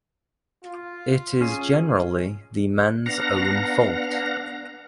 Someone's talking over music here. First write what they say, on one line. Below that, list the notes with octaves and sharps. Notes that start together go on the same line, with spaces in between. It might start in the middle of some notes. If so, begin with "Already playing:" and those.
It is generally the man's own fault.
F4
C#4 G#4
B3 D4 F5 F#5 A#5 A#6